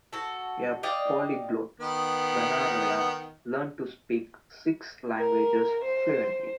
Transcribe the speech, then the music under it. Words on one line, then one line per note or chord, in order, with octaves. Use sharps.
A polyglot, Benaroya learned to speak six languages fluently.
F#4 A4
D5 D#5 F5 G5
D#3 B3
A#4
C5